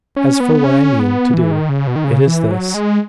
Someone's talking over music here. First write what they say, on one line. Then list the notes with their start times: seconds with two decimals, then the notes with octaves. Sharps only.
As for what I mean to do--it is this.
0.16 C#4
0.40 B3
0.64 C#4
1.00 B3
1.34 E3
1.52 D#3
1.69 C#3
1.87 B2
1.96 D#3
2.04 C#3
2.27 E3
2.51 F#3
2.74 G#3